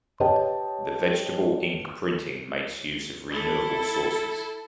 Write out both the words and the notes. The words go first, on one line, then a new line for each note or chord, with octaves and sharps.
The vegetable ink printing makes use of renewable sources.
G4 B4 C#5 D#5 G5 A5
E4 A4